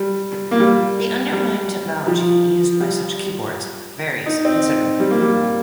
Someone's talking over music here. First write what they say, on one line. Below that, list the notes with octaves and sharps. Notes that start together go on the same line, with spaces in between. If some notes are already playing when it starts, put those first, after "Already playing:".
The underlying technology used by such keyboards varies considerably.
Already playing: G3
A#3
G3
G3
F3
G3
D#4
C4
G3
A#3
G3